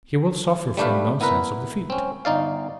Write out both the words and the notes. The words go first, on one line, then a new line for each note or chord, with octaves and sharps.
He will suffer from no sense of defeat.
G3 A3 D4 G4 B4 F5
B3 E4 A#4 B4
C4 C#4
G1 D#4 D5 F5